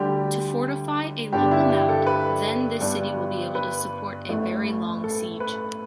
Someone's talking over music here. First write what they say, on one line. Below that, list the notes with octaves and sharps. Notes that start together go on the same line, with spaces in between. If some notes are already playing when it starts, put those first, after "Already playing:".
To fortify a local mound, then this city will be able to support a very long siege.
Already playing: D2 D3 G3 G4
G2 D3 G3 B3 D4 G4
E4
G4
A4
B4
G1 G2 G3
B4
A1 A2 A3
A4
B4